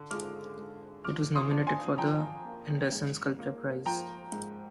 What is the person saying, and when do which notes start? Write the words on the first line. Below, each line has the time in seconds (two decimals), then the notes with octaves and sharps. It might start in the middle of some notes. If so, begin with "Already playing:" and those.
It was nominated for the Anderson Sculpture Prize.
Already playing: D3
0.11 G#3 D6 F6
0.57 G#3
1.04 F3 D6 F6
1.35 C6 D#6
1.51 D4
1.67 G#5 C6
1.98 F3 G5 A#5
2.45 A#3
2.92 G#2
3.39 A#3
3.86 F3 G5 A#5
4.32 G#2